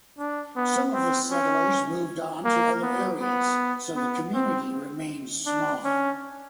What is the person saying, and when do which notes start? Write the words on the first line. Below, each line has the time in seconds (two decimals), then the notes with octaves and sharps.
Some of the settlers moved on to other areas so the community remained small.
0.18 D4
0.56 B3
0.94 C4
1.31 C#4
2.45 A#3
2.82 B3
3.21 B3
3.96 B3
4.34 C4
5.46 D4
5.85 C#4